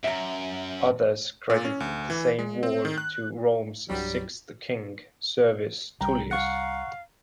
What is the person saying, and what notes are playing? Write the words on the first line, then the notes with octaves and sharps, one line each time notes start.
Others credit the same wall to Rome's sixth king, Servius Tullius.
F#2 E5 A#5
A#2
C#4
D2
E3
G#3
C4
D#3
F#6
C2 G2 F#3 G3
C2 G3 G5 A#5
F5 F#5 C#6